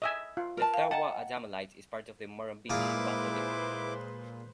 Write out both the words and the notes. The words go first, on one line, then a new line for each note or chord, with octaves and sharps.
The Tharwa Adamellite is part of the Murrumbidgee Batholith.
D#5 E5 G#5
F4
A#4 B4 A5
F5 G5
D#5 F#5 G5 A5 A#5
A#2 G#3 E4 F4 G#4 B4 C5 D6